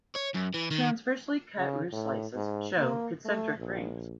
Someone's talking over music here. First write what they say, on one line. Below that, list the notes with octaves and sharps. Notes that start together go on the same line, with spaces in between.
Transversely cut root slices show concentric rings.
C#5
F#2
E3
D#3
C#3
A2
G#2
A#3
A3
A#1